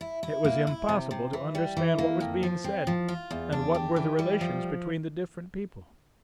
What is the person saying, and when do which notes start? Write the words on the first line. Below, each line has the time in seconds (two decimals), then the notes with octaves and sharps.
It was impossible to understand what was being said and what were the relations between the different people.
0.01 E4
0.23 E4
0.44 A#3
0.67 E4
0.89 C3
1.11 C3
1.33 E3
1.55 G3
1.77 E3
1.98 A#3
2.20 F2
2.43 F3
2.64 C4
2.87 F3
3.08 F4
3.31 E2
3.52 D4
3.75 G4
3.96 E3
4.19 G3
4.41 F3